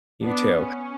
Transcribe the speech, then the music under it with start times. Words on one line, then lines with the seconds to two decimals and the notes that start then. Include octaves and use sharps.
You too.
0.23 B3 D4
0.59 C#4